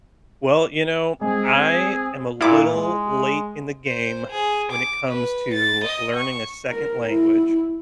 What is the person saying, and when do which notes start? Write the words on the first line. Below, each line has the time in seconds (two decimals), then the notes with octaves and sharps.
Well, you know, I am a little late in the game when it comes to learning a second language,
1.21 G#3 C4 G#4
2.41 A#2 E4 F4 D6
2.73 G#3
3.87 C5
4.31 G#4
4.72 D6
5.08 B4
5.54 A6
5.84 D#5
6.16 C#6
6.70 A#4
7.08 E4